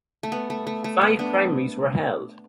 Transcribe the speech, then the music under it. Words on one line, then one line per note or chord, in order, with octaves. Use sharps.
Five primaries were held.
A3
B3
A3
A3
A3
B3
B3 D4